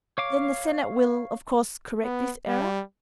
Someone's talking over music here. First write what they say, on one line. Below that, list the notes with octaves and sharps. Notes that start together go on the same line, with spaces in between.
"Then the Senate will, of course, correct this error?"
C#5 F5 D6
B3
G3